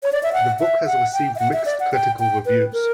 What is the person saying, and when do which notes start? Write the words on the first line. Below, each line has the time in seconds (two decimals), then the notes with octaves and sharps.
The book has received mixed critical reviews.
0.03 C#5
0.13 D5
0.23 E5
0.33 F#5
0.60 E5
0.87 F#5
1.13 G5
1.35 E5
1.39 F#5
1.53 E5
1.66 D5
1.80 F#5
1.93 G5
2.20 G5
2.46 B4
2.73 A#4